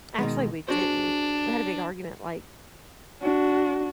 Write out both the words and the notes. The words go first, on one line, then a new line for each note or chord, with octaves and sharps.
Actually, we didn't. We had a big argument, like,
B2 D#3 G#3
D4 F#4 G#4 C5
D4 F#4